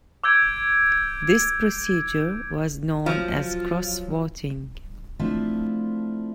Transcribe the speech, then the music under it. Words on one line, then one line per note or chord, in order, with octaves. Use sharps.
This procedure was known as 'cross-voting'.
D6 E6 G6 G#6 D7
F3 F#3 F4
F3 A3 C4 D4 E4 F4